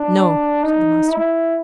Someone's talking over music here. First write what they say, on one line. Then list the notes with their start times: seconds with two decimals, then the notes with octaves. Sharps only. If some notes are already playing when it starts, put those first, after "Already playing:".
"No!" said the master.
Already playing: D4
0.63 D#4
1.09 E4